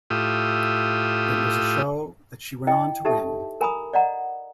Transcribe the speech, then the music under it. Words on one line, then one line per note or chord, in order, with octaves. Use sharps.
It was a show that she went on to win.
A2 F4 G4 E5 D#6
E4 D#5 G5
D#4 G4 A4 E5 A5
A#4 G#5 A#5 B5 D#6
D5 D#5 F#5 A#5